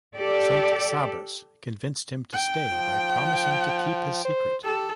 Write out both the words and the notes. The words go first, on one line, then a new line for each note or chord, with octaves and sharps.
Saint Sabas convinced him to stay by promising to keep his secret.
G4 A4 D5
G5
F3
C5
G4 A4